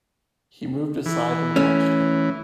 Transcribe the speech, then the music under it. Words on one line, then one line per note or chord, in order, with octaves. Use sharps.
He moved aside and watched her.
E3
A3 C#4